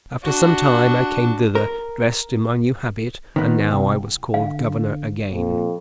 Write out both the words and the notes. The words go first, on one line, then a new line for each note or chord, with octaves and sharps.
After some time, I came thither dressed in my new habit; and now I was called governor again.
D4 F#4
A#4
D#3 B3
C2
D3 F5
F2 A#2